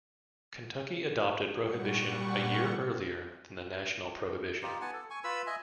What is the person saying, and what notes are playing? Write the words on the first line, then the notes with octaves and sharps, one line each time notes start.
Kentucky adopted prohibition a year earlier than the national prohibition.
A#2 G3 F#5 C#6
D#4 F4 G4
B3 F#5 G#5 A5
A4
G#5 C#6
F4 B4 B5 E6
D#5 E5 G#5